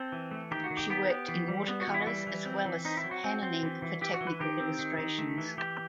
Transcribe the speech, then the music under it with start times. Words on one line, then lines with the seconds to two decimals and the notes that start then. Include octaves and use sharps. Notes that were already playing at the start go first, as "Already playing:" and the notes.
She worked in watercolours as well as pen and ink for technical illustrations.
Already playing: C4 A4
0.12 E3
0.31 A3
0.51 D#3 G4
0.64 F#4
0.71 D#3
0.77 G4
0.90 B3 G4
1.10 B3
1.28 E3
1.48 G3
1.68 B3
1.81 F#4
1.87 E3
1.94 E4
2.01 F#4
2.07 G3 E4
2.27 E3
2.45 C4
2.65 E3
2.85 C4 D#4
2.97 E4
3.04 F#3
3.11 F#4
3.24 C4
3.43 C4
3.63 E3
3.82 E3
4.01 E3 G4
4.14 F#4
4.21 E3
4.27 B4
4.40 D#3 G4
4.60 C4
4.79 D#3
4.98 D#3
5.18 A3
5.38 E3
5.57 E3 G4